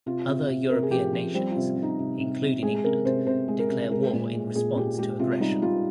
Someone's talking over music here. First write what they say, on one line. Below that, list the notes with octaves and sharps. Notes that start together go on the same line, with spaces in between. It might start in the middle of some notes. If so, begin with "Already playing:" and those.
Other European nations, including England, declare war in response to aggression.
C3 F4
C3
C3
C3 A#4
G#4
F3 G4
F3 F4
G3 C4
F4
C3
C3
D#4
C3
C3
C3
G#3 G#4
C3 A#4
C3 C5
C3 C5
G#3
A#4
C3
G#3 A#4
A#2
G#3
A#2 G#4
A#2 G4
G#3 G4
C3 F4
G3 D#4
G3 F4